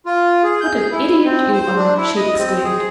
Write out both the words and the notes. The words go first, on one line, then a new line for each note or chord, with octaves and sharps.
"What an idiot you are!" she exclaimed.
F4
G#4
G6
G#4
E4
C4
C5
D4
E4
D#5
C4
G#4